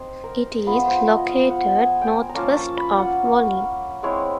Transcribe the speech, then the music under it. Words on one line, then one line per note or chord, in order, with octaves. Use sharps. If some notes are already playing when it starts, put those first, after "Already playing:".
It is located northwest of Volin.
Already playing: C4 D#4 C5
A#4
F3 G#3 B3 B4
C5
D#5
F5
F#5
G#5
G5
G#5
A#5
F3 A#3 C#4 A5
A5
B5
F#5
G#3 C4 E4 C#5